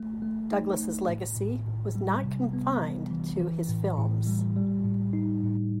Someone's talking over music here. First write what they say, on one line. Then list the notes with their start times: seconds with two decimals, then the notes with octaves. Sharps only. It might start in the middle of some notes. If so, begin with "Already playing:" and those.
Douglas's legacy was not confined to his films.
Already playing: A3
0.22 A3
0.51 D#4
0.80 A3
1.09 A2
1.37 A2
1.66 A2
1.95 G3
2.24 C3
2.53 B3
2.82 E3
3.11 E3
3.40 E3
3.69 A2
3.98 A2
4.27 G3
4.56 G3
4.84 A2
5.13 D#4
5.43 A2